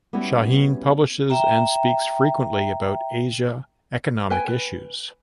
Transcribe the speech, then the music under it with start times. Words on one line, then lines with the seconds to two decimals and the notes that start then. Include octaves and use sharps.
Shaheen publishes and speaks frequently about Asia economic issues.
0.13 G3 B3 C#4 E4 F#4
1.30 E5 G5 A#5
4.30 B4 G5 G#5
4.48 B4